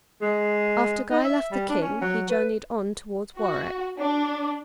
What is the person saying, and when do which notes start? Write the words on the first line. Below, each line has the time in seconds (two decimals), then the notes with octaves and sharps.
After Guy left the King, he journeyed on towards Warwick.
0.22 G#3
1.10 D#4
1.24 E5
1.52 G3
1.69 D4
1.81 C#4
2.01 F#3
2.29 B4
3.37 F#4
3.99 D4